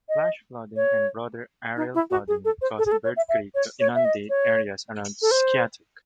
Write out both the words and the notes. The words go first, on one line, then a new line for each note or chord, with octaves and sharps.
Flash flooding and broader areal flooding caused Bird Creek to inundate areas around Skiatook.
D#5
C#5
D#4
E4
F#4
G#4
A4
C5
A4
G#4
A4
C#5
E5
E5
C#5
C#5
E5
D#5
C#5
A4
C5